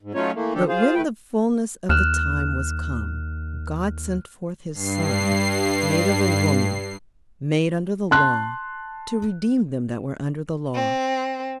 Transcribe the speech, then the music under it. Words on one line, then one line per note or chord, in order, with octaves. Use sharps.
But when the fullness of the time was come, God sent forth his Son, made of a woman, made under the law, to redeem them that were under the law.
G#2
F#3 A3 C#4 D#4 F4 C#5
E3 A3 A#3
D#3 F3 D4 G4 A4
F4 G#4 C5 F5
D#2 A3 B4 G5
D#2 F6 F#6 E7
G2 C7
A5 C6 F#6
C4